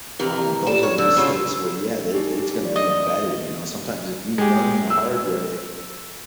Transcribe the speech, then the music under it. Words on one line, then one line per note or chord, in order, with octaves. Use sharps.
um, those are the mistakes where, yeah, they it's gonna be embedded, you know, sometimes if you learn the hard way,
C3 E3 A#4
G3 E7
C#5
D3 E6
C#3 C#4 F4
D#4 G4 G#4
F4 D5
D#5
G#3 G4
E6